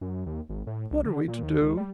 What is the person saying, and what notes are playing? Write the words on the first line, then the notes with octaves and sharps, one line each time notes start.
"What are we to do?"
F#2
D#2
G#1
A2
C2
D3
A#2
D#2
C#2
G3